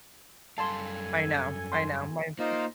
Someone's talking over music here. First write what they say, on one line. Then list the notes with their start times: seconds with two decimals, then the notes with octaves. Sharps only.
I know, I know, my f
0.58 F#2 G3 A4 F5 G#5 A5 C6
1.72 C6
2.39 A#3 D#4 F4 C5